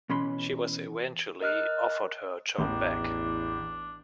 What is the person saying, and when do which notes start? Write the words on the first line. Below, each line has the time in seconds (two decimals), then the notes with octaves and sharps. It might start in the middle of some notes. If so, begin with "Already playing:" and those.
She was eventually offered her job back.
0.10 B2 E3 C#4 B5 C6
1.41 A#4 D#5 F6 F#6
2.58 A1 E2 D4